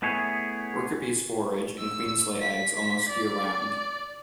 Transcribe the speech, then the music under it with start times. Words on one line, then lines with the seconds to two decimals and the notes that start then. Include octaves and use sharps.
Worker bees forage and queens lay eggs almost year-round.
0.02 A3 B3 E4 G#4 C#5
1.79 E6
2.42 B6
3.09 D5